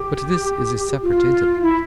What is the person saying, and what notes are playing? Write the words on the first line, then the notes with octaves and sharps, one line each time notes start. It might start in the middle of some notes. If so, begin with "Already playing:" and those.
But this is a separate intellect.
Already playing: G4
F4
E4